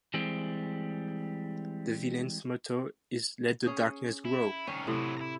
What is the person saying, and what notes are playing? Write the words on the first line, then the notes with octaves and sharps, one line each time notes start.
The villains' motto is Let the darkness grow!
E3 G3 G#3 C4
C#4 G#4
E4
C2 D#3 C#4
A2 C3 F#3 E4
E4 A#5